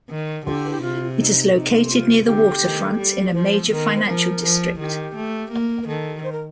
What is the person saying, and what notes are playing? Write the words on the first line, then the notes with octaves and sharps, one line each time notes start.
It is located near the waterfront, in a major financial district.
D#3
D3 G4
G4
C3 F4
D#4
C3 D#4
F4
D3 G4
D#3
G3
D5
F3 C5
D#3 A#4
C5
F3 A#4
F3
D#3 G4
A3
A#3
A#4
D#3 A4
C5
A#4